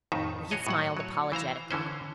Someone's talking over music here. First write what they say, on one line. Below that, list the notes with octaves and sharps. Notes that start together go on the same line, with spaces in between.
But he smiled apologetically.
F2 A2 D#3 D#4 E5
F#4 G#4 C#5 D#5
A2 F#3 F#5
F#3 C#5
E3 C5 F5 A#5
D3 E3 C#4 C5